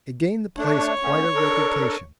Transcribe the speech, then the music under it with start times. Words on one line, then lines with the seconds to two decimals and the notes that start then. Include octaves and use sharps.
It gained the place quite a reputation.
0.58 A3 D4 C#5
1.03 A3 B3 C#4
1.35 D4 A4 A#4